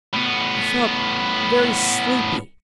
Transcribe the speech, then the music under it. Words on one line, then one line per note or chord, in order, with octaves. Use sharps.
He felt very sleepy.
A2 B3